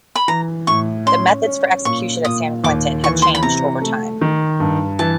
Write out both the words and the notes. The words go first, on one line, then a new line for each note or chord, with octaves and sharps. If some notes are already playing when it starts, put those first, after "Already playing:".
The methods for execution at San Quentin have changed over time.
B5
E3 A#5
A2 C#6
C#4 C6
C#4
A#2 C#6
A#2 D#6
D#2 D6
E3 C#6
C6
B5
C3 A#5
A3
D#3
G2
E3 A5